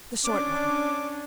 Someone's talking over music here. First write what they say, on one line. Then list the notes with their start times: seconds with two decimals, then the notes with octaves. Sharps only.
"The short one."
0.24 C#4 D4 D6